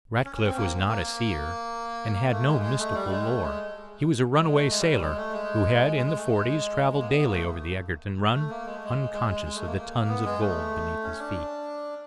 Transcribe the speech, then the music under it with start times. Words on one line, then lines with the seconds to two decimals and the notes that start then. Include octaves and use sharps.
Ratcliff was not a seer, and had no mystical lore. He was a runaway sailor, who had, in the forties, travelled daily over the Egerton run, unconscious of the tons of gold beneath his feet.
0.25 C#4
0.36 C#4
0.46 C4
0.57 A#3
0.88 A#3
2.15 A#3
2.31 A3
2.47 G#3
2.63 G#3
2.79 A3
2.94 G3
3.11 G#3
3.26 A3
3.42 G#3
4.37 G#3
4.53 A3
4.69 G#3
4.79 G3
4.90 G3
5.01 G#3
5.17 A3
5.33 G#3
5.96 G#3
6.06 G#3
6.17 A3
6.28 G#3
6.91 G#3
7.00 A#3
7.07 B3
7.23 A#3
7.33 A3
8.34 A3
8.50 A#3
8.66 G#3
8.75 A3
8.84 G#3
9.13 G#3
9.29 G#3
9.45 G#3
9.55 A3
9.66 A#3
9.77 A#3
9.93 A#3
10.08 B3
10.25 G#3
10.40 A3
11.03 C#4
11.19 D4